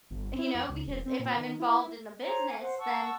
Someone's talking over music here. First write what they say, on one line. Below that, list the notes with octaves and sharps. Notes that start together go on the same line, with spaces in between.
you know, because if I'm involved in the business, then
G1
E4
F2
C#2
E1
C4
A#2
D#3
E4
C5 C#5 A#5
F5 G#5
C5 F#5
F#5 A5 C#6 E6